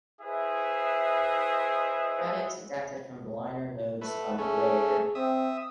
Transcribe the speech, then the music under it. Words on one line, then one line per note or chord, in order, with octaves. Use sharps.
Credits adapted from the liner notes of "Rare".
E4 G#4 B4 C5 D#5 E5
A3 B4
A3 C#4 G#4
C4 E5 D#6